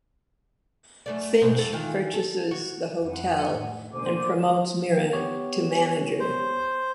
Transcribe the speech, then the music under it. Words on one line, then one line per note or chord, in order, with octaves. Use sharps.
Finch purchases the hotel and promotes Mira to manager.
F#2 A3 D5
G#2 B2 C4
F2 G#2 A4
D#3 E3 F4
A4
F#4
F2 C4 F#5 G#5
A2
B2 D3 A#3 C5 G#5 D6
B3 G4 C#5
C5